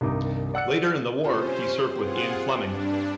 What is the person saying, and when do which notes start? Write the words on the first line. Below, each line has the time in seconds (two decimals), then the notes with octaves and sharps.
Later in the war, he served with Ian Fleming.
0.01 C2 G2 C3 D#3 D#4 D6
0.54 D5 F#5 E6 F#6 C#7
1.24 C3 C#4 F4 A4 C5
1.95 C4 F4 G4 G#4 F#5
2.48 G2 D4